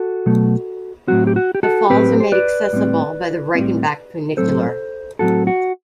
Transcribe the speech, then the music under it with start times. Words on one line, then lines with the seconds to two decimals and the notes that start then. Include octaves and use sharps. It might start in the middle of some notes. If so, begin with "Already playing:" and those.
The falls are made accessible by the Reichenbach Funicular.
Already playing: F#4 A4
0.26 B2 F#3 A3
1.08 A2 F#3 C4 F#4
1.27 G4
1.36 F#4
1.55 G4
1.63 F#4 A4
1.90 A2 F#3 C4 G4 B4
2.20 C5
2.32 B4 D5
2.73 A2 G3 C4
3.55 A2 G3 C4
4.37 A2 F#3 C4 A4 C5
5.19 A2 F#3 C4 F#4 A4
5.47 F#4